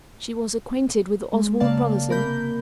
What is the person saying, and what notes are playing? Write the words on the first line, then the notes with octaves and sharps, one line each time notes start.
"She was acquainted with Oswald Brotherson?"
G#3
C#3 A#3 D5 F5 A5
C3 A#3 A#4 B5 G6